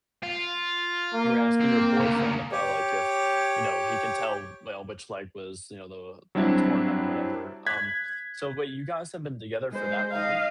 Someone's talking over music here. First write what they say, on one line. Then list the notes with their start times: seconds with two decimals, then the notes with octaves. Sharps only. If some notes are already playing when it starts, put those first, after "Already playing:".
you're asking your boyfriend about, like, if, you know, he can tell, well, which leg was, you know, the, uh, torn one or whatever, um, so but you guys have been together for that long?
0.23 F4
1.15 A#3
1.61 C4
1.99 D2 C#3
2.52 G4 C#5
6.35 F#3 G3 C4 D4 E4
7.66 F#6 G#6 B6
9.71 G#3 C5
10.12 D#5 F5